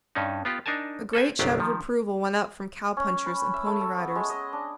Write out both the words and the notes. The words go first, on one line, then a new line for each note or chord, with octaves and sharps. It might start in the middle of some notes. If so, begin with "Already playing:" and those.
A great shout of approval went up from cowpunchers and Pony Riders.
G2 C#4 D#4
B3 F4 G4
D4 D#4 A#4 G#5 A5
A4 B4 C5 G#5
G1 C2 F#3 F4 G4
D#3 F3
C#4
B4
E5
A3
A4
B3
G#3
D#5
D4